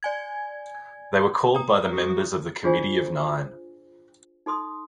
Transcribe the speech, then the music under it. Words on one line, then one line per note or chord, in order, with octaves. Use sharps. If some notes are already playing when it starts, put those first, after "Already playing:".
They were called by the members of the committee of nine.
D5 G#5 G#6
A#5 D#6
F#4
D4 F4 G#4 C5 D5 G#5
D#4 A4 C6 D#6